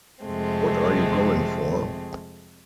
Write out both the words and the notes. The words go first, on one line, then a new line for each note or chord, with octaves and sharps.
What are you going for?
F2 C3 G#3 A3 C4